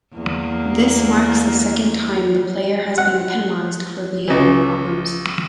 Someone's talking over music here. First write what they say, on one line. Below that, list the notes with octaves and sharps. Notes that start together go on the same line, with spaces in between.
This marks the second time the player has been penalised for behaivour problems.
E2 A#3
F#5
C#2 E3